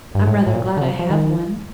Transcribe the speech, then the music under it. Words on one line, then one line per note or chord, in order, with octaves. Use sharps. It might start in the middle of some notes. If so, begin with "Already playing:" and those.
I'm rather glad I have one.
G2
A2
A2
A#2
D3
C3
F3
D#3